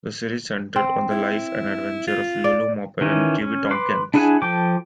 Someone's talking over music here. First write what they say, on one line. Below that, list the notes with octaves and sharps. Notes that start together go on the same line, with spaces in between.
The series centered on the life and adventures of Lulu Moppet and Tubby Tompkins.
C4
E4
F4
D5
D#3 E3 C#4
C#4
B4 C6 D6
D4 E4 G#4 F#5 G#5
F3 A4 G5 D6